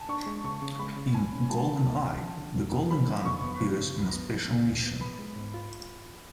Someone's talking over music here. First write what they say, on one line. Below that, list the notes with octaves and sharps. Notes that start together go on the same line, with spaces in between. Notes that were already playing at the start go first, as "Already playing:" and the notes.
In "GoldenEye", the Golden Gun appears in a special mission.
Already playing: G#5 A5
D4 C#6
G#3
C#3 C#6
C#3
G#3 B5
C#3
D2 G#5
C#4
G#3 A5
C#3
D2
C#4
F3
D3
F2
B3
F3 B5
D3
F2 C#6
B3
F3
C#3
D2
B3
F3
C#3
D2
B3
B3 B5
G#3
G#2
F4